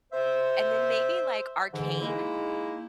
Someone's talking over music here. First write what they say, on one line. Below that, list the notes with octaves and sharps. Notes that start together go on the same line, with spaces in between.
And then maybe like Arcane?
C5 E5
G#2 D3 E3
G#3 A#3 D#4 E4